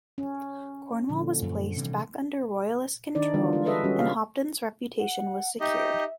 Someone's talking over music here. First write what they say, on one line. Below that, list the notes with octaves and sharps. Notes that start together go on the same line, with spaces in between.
Cornwall was placed back under Royalist control and Hopton's reputation was secured.
C#4
A#2 D3 F3
F#2
C3 E3 G3
D#3 D4 D#4 D5
D3 E3 G3 B3 D4 F4
G#3 F4
G#4 A4 B4 D#5 E5
G3 C#4 F#4
C3 F4 F5
F#5
D#4 G4 D#5 E5